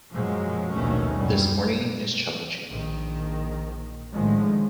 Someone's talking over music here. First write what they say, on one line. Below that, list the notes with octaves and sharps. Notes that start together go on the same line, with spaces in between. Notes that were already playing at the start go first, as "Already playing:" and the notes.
This morning is challenging.
F#2 A#2 F3 F#3 G#3
A#1 D#2 B2 D#3 A3 C#4
F#2 G3
A#1 D#3
A2 D3 D#3 F3 G#3